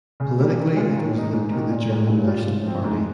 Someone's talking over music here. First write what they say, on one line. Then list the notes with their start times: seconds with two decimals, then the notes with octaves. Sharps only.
Politically it was linked to the German National Party.
0.20 C#3
0.39 G3 A#3
0.58 D#3
0.77 G#3 C#4 F4
0.96 D#3
1.14 A#3 D#4
1.33 G#2
1.52 D#3 A#3 D#4
1.71 A#2
1.89 G#3 C#4
2.08 G2
2.27 G3 C#4 F4
2.45 C3
2.65 F3 C4
2.84 G#2